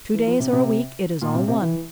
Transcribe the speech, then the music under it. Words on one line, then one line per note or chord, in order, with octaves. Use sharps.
Two days or a week, it is all one.
E3
F3
C3
C3
A#2
C3
C3
E3